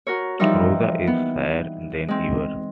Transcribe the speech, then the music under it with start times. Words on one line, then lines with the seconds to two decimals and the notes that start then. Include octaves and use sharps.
Rosa is shyer than ever.
0.07 F#4 A#4 C#5
0.39 E3 F3 G3 D#4 A#4
1.07 B3
2.08 G#3 C4